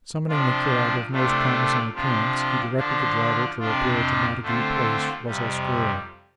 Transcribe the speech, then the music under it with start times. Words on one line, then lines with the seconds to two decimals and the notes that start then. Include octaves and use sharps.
Summoning the cab of most promising appearance, he directed the driver to repair to Montague Place, Russell Square.
0.28 C3 F3 D4 F4
1.10 C3 A3 D4 F4
1.94 C3 F3 D4 F4
2.77 D3 F3 D4 F4
3.59 F2 C3 F3 D4 F4
4.42 D3 A3 C4 F4
5.25 F2 C3 G3